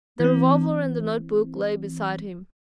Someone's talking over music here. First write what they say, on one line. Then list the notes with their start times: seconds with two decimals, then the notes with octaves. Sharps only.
The revolver and the notebook lay beside him.
0.20 E3 C4